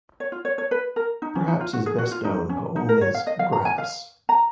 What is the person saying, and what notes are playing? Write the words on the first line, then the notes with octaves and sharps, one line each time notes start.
Perhaps his best-known poem is "Grass".
C#5
F4
C#5
C#5
B4
A#4
D#4
C#4
D#4
F4
F#4
G#4
F#4
F4
D#4
C#4
D#4
A#4
C#5
F5
D#5
F5
A#5
G#5
F5
A#5